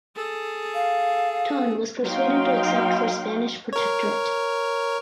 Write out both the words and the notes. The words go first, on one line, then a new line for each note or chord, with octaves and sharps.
Ton was persuaded to accept for Spanish protectorate.
G#4 A4
F5
F#3 A#3 D#4 F5 G5 C6
A#4 C#5